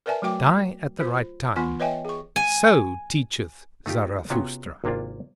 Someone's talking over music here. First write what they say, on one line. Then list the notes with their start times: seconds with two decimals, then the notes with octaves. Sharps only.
Die at the right time: so teacheth Zarathustra.
0.06 A#4 B4 D5 E5 G#5 A5
0.22 F#3 A3 F#4 G5 D6
0.99 F4 C5
1.56 E3 B3 F4 G#5 C#6
1.80 B4 C#5 D#5 E5 G5 G#5
2.05 G#4 C#6
2.36 G#5
3.86 A3 D#4 F4 G4
4.30 C3 B3 C#4 F4 F#4 G#4
4.84 G#1 C3 A#3 D4 F4